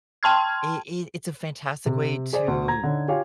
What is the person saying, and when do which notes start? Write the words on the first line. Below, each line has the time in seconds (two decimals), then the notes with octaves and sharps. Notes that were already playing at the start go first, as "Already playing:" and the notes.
It it it's a fantastic way to
0.23 G5 A5 C6 F6 G#6
1.86 C3
2.33 G#4 C5 D5 G#5
2.48 D2
2.68 A#5 G#6
2.83 D3 C#4 D#4
3.08 F4 G4 C#5 F5 G#5